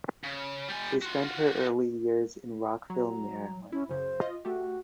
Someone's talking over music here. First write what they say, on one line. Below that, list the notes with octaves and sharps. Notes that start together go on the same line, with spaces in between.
She spent her early years in Rockville, Maryland.
C#3
G3 G#5
F4 F#4
F#3 A#5
C#4 E4
F#2 C#3 C5
F4 D#5
A3 F#4 G4